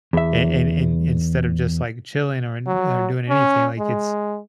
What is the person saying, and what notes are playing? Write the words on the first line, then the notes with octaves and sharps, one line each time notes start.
A and and instead of just, like, chilling or or doing anything, like, it's,
E2 E5
F#3
C#4
G#3